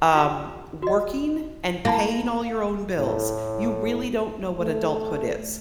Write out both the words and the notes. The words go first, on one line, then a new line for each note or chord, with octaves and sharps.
um, working and paying all your own bills, you really don't know what adulthood is.
F4 G4 D6
F#4 D#5
A#3 E4 A5 B5
A2
A3